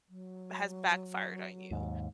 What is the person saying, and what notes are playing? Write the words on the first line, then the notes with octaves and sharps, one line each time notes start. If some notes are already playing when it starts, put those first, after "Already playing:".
has backfired on you?
F#3
D#2 G#2